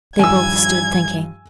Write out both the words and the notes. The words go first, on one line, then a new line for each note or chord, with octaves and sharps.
They both stood thinking.
G2 D#3 F3 G#5 E6 G#6